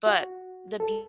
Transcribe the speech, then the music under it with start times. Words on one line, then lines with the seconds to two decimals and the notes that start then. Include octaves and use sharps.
But the beu
0.06 F#4
0.80 A4